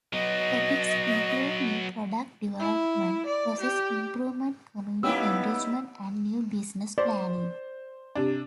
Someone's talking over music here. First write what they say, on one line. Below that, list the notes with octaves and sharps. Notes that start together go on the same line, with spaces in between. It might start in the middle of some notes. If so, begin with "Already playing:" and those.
Topics include new product development, process improvement, community enrichment, and new business planning.
F#3 B3 D#5
E4
D5
G4
G3 A#3 B3 C#4 D#4 E4 G4 E6
C5 D5
C3 D4